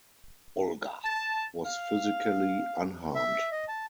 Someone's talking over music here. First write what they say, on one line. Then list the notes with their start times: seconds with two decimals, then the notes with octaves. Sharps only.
Olga was physically unharmed.
1.04 A5
1.65 F5
3.15 E5
3.52 D#5
3.68 A5